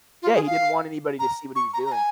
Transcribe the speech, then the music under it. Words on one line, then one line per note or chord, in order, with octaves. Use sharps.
Yeah, he didn't want anybody to see what he was doing.
F4
G#4
F5
A#5
C#6
A#5
A#5
G#5